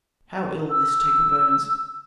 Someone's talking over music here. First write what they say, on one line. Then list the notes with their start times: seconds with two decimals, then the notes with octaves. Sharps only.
How ill this taper burns!
0.69 E6